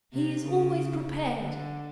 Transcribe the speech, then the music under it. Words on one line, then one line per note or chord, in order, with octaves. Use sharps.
'He is always prepared!
C3
C#3
C#3
D3